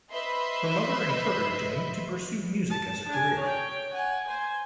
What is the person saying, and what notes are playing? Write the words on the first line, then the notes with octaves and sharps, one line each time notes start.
Her mother encouraged him to pursue music as a career.
B4 C5 D#5 E5 B5 C6
A5
D4 G#5
C#5 G5
F#5 G#5
C5 G#5